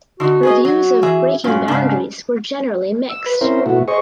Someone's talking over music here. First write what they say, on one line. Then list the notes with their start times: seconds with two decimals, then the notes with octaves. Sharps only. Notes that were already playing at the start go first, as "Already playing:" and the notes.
Reviews of "Breaking Boundaries" were generally mixed.
0.20 D3 D#4 F#4
0.43 G#4 B4 D#5
0.65 F#3
1.03 E3 G#4 E5
1.44 G2 A#2 F#3 C#4
1.68 G#2 C#3 D4
3.10 E6
3.26 B4
3.41 C4 C#4 E4 A#4 C5
3.66 B2 A3 E4 F#4
3.88 G#4 C5 D#5 C#6